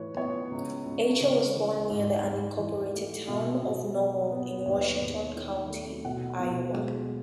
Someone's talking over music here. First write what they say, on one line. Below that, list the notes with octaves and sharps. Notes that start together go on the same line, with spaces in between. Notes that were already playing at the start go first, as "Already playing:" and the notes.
Eicher was born near the unincorporated town of Noble in Washington County, Iowa.
Already playing: A2 E3 B4 C#5
B3 C#5
C#2
C#2
C#3 D#5
E3
G#2
G#2
E3
A3
B2 E5
B2 D#5
F#3
B3
D#2 C#5
B4
C#5
D#2
D#3
A3
B2 F#5
B2
G#3